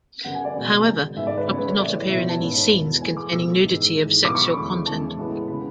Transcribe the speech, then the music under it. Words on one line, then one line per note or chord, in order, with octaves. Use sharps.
However, Trump did not appear in any scenes containing nudity of sexual content.
F#2 C#3 F#3 B3 F#5
G#5
D5
B2 G#3 B3
F#2 C#3 G#3
G#2 G#3 B3 E5
D5
B4
C#3 G#3 B3 C#5
B4
C#5
A2 E3 A3 D5
B2 F#3 B3 E5
C#5
A5
G#2 G#3 B3
E2 B2 G#3 B3
A2 E3 G#3 B3 G#5
D6
B2 A3 E6
G#2 E3 G#3 B3
G#2 E3 A3
B2 F#3 B3 D6
C#6
B5
E2 D3 G#3
E2 C#3 E3 G#3 A5
A2 G#3 B3
C#3 G#3 B3 B5